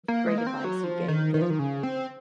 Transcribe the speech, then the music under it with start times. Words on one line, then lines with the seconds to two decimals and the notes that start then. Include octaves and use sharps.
great advice you gave them?
0.08 A#3
0.27 G#3
0.38 A#3
0.47 C4
0.64 F#3
0.84 F3
1.08 D#3
1.34 D#3
1.42 F3
1.50 D#3
1.59 C#3
1.83 C4